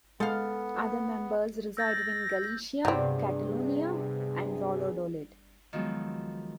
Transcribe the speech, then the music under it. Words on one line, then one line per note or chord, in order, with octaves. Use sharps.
Others members resided in Galicia, Catalonia and Valladolid.
G#3 B3 A4 F5
E6 G6 A6 A#6
G2 C3 F#3 B3 C4 D4 G#4
D#3 F3 F#3 G#3 B3